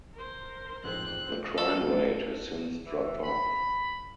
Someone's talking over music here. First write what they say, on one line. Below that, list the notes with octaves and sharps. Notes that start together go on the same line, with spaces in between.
The crime rate has since dropped off.
A#4 C5
A1 F2 G#2 C4 F#6
A4
E3
B5